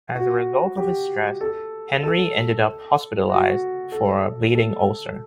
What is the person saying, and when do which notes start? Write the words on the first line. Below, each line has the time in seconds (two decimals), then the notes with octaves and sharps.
As a result of his stress, Henry ended up hospitalized for a bleeding ulcer.
0.15 F#4
0.78 G4
1.41 A4
2.03 A4
3.29 F#4
3.92 A4
4.55 A4